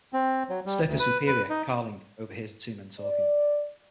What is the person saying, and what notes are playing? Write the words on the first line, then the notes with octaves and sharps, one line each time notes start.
Sturka's superior Carling overhears the two men talking.
C4
F#3
G3
D2
B4
B4
D#4
D5